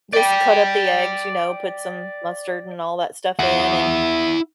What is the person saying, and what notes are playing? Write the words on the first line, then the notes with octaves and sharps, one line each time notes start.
Just cut up the eggs, you know, put some mustard and all that stuff in, and
D5 G5
E4 F#5